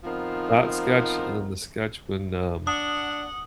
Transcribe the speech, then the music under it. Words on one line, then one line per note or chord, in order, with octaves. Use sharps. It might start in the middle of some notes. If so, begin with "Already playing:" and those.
That sketch and then the sketch when, um,
F3 B3 C4 D#4 A#4
D4 F#5 D#6